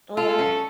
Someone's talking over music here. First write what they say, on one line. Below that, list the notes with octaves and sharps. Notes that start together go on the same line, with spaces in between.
Oh, wow.
F4 A4
C#4